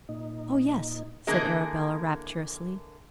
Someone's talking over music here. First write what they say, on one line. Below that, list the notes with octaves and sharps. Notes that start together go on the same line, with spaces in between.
"Oh yes," said Arabella, rapturously.
A#2 D#4
D3 E3 A#3 G#4 A#4 D#5